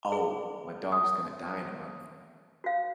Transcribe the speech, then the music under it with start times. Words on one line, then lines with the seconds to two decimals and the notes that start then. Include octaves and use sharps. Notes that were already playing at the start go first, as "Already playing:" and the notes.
"Oh, my dog is gonna die in a month."
0.12 G#4
0.92 D#6
2.64 F#4 F5